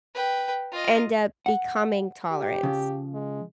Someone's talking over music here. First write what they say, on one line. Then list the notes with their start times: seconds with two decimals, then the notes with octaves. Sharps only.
end up becoming tolerance,
0.15 B4 G5
0.72 F4 D#5
1.46 F#5
2.31 G4
2.63 C#3 F3
3.14 G#3